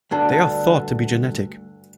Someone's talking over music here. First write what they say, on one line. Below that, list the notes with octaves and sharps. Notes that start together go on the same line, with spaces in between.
They are thought to be genetic.
D2 G2 D3